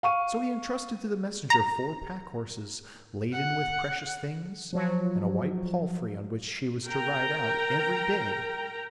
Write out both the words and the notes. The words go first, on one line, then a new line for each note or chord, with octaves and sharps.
So he entrusted to the messenger four pack-horses laden with precious things, and a white palfrey on which she was to ride out every day.
F5 C#6 D#7
A#5
F#5
F3 F#3
A#4 G5 A#5